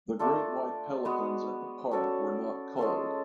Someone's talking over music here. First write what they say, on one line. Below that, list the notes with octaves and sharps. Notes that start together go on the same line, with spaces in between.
The great white pelicans at the park were not culled.
A3 D4 F4 A4
G#3 B3 F#4
C#4 F#4 A4 D5
G#3 C#4 F4 A4